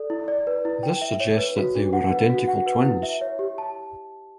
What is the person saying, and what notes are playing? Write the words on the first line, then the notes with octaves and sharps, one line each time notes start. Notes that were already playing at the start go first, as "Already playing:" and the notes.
This suggests that they were identical twins.
Already playing: A4 D5
E4
D5
B4
E4
G5
E5
C#5
B4
F#4
D4
F#5
B4
F#4
F#5
B4
E4
E5
C#5
G4
A5